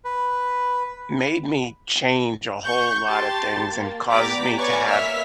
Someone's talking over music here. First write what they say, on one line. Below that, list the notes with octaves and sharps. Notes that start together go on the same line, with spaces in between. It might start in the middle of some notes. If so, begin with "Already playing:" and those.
made me change a whole lotta things and causes me to have
B4
C#6 G6
G4 A5 C6 A6
A#3
B3 G4 D5 A#5 D6 B6
B4 C#5 D5 G#5 C#6 D6
A#3 E5 E6 F6 B6